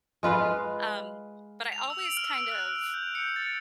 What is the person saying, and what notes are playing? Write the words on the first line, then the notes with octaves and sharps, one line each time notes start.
um, but I always kind of,
G#3 F4 B4 F5
F7
E6
D7
F6
F6
F#6
F7
G6
C#7
A6